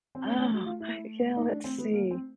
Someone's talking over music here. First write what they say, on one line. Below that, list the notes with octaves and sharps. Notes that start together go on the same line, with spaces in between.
Oh, I yeah, let's see.
C4
A3 C#4
C#4
F#4
F4
A3 E4
D#4
D4
C4
B3
A#3
C4